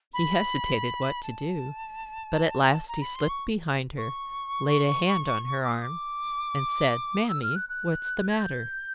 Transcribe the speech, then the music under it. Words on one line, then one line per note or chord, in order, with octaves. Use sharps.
He hesitated what to do, but at last he slipped behind her, laid a hand on her arm, and said: 'Mammy, what's the matter?
B5
A5
A#5
B5
C6
C#6
C#6
D6
D#6
D6
D#6
E6
F6
F#6
F#6
G#6
G6